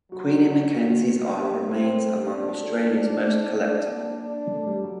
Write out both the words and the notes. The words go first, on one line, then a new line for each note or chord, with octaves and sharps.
Queenie McKenzie's art remains among Australia's most collectible.
F#3 F#4
D#3 F#4
A#3 G4
A#4
C4 A4
A#4
A4
G4
D4 G4
F#4
A4
A#4
D#4
D4 F#4
D#4
C4
D4
A#3
D4
A3
G3
F#3